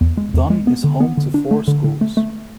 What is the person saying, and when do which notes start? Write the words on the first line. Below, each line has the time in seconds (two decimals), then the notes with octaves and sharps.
Dunn is home to four schools.
0.01 E2
0.17 G#3
0.34 E2
0.50 G#3
0.67 B3
0.84 D3
1.00 B3
1.17 D3
1.34 D4
1.51 A3
1.68 D3
1.84 D3
2.01 A3
2.17 A3